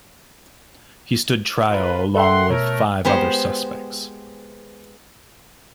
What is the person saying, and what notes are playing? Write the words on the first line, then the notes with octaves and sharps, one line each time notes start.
He stood trial along with five other suspects.
F4 A#4 B4
A4 E5 F#5 G5 C6
B2 A3 A#4 C#5
G#3 B3 G4 C5